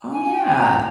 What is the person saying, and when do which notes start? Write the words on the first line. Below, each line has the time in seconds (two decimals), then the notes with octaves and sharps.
Oh, yeah.
0.13 G#5
0.24 G#5
0.35 G5
0.47 G#5
0.58 A#5